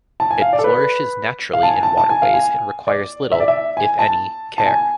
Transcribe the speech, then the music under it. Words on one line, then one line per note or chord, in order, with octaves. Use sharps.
It flourishes naturally in waterways and requires little, if any, care.
A5
G#5
F5
D5
A4
B4
F5
A5
G#5
A5
A5
G#5
F5
G#5
D5
E5
D5
E5
G#5
A5
A5
G#5